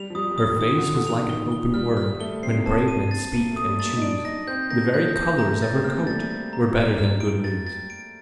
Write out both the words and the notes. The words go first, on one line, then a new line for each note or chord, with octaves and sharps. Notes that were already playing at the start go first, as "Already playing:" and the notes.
Her face was like an open word When brave men speak and choose, The very colours of her coat Were better than good news.
Already playing: G3 F7
F3
G3 D#6
G3
F3 D#6
D#3
F3 D#6
D3
F7
D3
F7
D#3
D#3 G7
G7
G3 F6
G3 F6
A3 G7
C4 C7
A#3
C4 A5
D#7
A6
A#3 D#7
A3
D#6
G3
A6
A#3
D#4
D4 D7
D#4 A#6
C4 G6
A#3 A#6
G6
G6
A3 A#5
A6
C4
A#3 F6
A3
G3 A6
A6
A#5
F6
F6
D7
A6
A6
D7